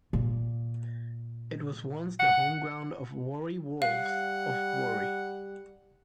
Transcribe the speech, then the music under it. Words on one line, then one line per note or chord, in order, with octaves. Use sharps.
It was once the home ground of Warri Wolves of Warri.
A#2
F#5
G3 F5 F#5